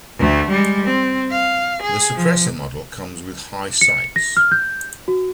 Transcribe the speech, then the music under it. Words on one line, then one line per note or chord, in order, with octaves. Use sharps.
The Suppressor model comes with high sights.
D2 A3
G3 G#3
C4
F5
G#4
F3
C#7
A#6
F6
G6
F#4